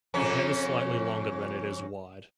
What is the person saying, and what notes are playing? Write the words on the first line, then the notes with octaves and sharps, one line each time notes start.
The head is slightly longer than it is wide.
F2 C#3 C#4